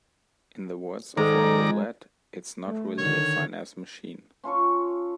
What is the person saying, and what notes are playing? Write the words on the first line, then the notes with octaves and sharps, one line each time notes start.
In the words of one Roulette, "it's not really a finesse machine".
G#2 D#3 A4 D5 A#5
A3
D3 D#3 C#5
C#4 F4 A4 C#5